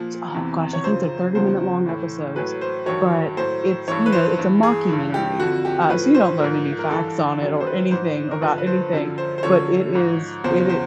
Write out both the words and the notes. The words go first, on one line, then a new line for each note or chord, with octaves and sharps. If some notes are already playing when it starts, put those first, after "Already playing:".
oh gosh, I think they're thirty-minute-long episodes, but it's, you know, it's a mockumentary, uh, so you don't learn any facts on it or anything about anything, But it is it i
Already playing: A#2 F3
E2 C3 E3
C#5
F#2 C#3 F3 C5
E2 C#3 F3 C5
A2 E3
A2 F#3 B4
C5
G2 D#3 F#3 C#5
A2 F#3 C5
G2 E3 C#5
B4
C5
G2 E3
G#4
G2 E3
G4
F2 D3 F3 F#4
G4
A2 F3 B4
C5
G#2 F3 A#4
A#4
G2 E3 A4
F#2 D#3 F#3
C5
B4
G#2 E3 C5
A#4
G2 D3 F3 B4
B4
C5
F#2 D3 F3
C5
C5
F#2 D3 F3 C#5
G#2 F3
E2 C#3 F3 C5
C5